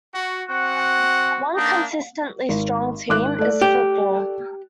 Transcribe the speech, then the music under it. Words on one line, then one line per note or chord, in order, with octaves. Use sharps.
One consistently strong team is football.
F#4
C4 F#4 F#5
A#3 D4 D#4
G#1
G#1 D6 F#6
A3 D5
G4